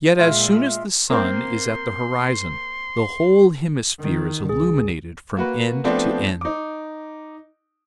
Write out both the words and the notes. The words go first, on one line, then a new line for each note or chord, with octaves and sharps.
Yet as soon as the sun is at the horizon, the whole hemisphere is illuminated from end to end.
A#2 G#3 F4 E5
A#3 C4 C6
D#3
C#2 G#4
A#3 F#4 B4
F3 A3 B3 C4 D4
D#4 D6